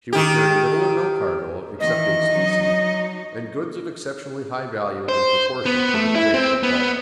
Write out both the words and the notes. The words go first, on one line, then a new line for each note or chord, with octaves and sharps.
She will carry little or no cargo excepting specie, and goods of exceptionally high value in proportion to their weight and bulk.
D#3 G4
D#3 E3 D#5
F#3 D#4
C5
B3
A3
E4
C4
B3